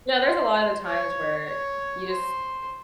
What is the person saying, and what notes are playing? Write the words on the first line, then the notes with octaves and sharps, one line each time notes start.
Yeah, there's a lotta of the times where you just
C5
C#5
C#5
C5